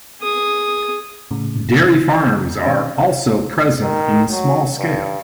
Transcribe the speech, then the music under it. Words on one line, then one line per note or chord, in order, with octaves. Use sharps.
Dairy farms are also present in small scale.
G#4 D#6
A2 C#3
C#3
B2 D#3 C4 C#4
D#3
F#3
G2